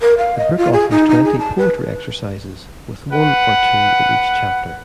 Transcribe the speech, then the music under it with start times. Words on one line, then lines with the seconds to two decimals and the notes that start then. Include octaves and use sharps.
The book offers twenty 'Poetry Exercises', with one or two in each chapter.
0.01 A#4
0.18 F5
0.38 D#5
0.57 F4
0.73 G#4
0.90 D#4
1.09 D#4
1.24 G#4
1.39 A5
1.58 B4
3.12 B4 F#5